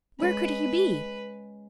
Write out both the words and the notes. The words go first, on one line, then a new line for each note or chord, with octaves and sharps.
Where could he be?
G#3 C#4 B4